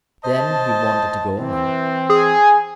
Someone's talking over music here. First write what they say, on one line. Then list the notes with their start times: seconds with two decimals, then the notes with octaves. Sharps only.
Then he wanted to go on.
0.24 C5 D#5 A5
1.39 E3 C4
2.10 G#4